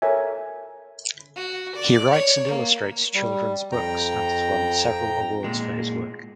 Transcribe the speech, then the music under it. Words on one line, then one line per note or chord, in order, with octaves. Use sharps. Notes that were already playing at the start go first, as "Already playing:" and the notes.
He writes and illustrates children’s books and has won several awards for his work.
A4 A#4 C#5 E5 G#5
F#4
D5
C#5
A#3
G3
F2 G5 A#5
A#2 G#3